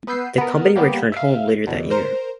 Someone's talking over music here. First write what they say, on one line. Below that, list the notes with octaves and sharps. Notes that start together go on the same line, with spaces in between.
The Company returned home later that year.
B3 B4 E6 G6 C7
B3 A#4
G3 A#3 B3 G4
E5 F5
E2 B2
A#4 C5 A#5